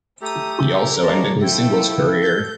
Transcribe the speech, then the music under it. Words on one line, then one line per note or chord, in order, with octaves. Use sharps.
He also ended his singles career.
A3 G4 A4 A#5 D#6
C#4 A#4
D#2 B2 G#3 D5 A5 A#5
F3 A3 E4 A4 G5
G6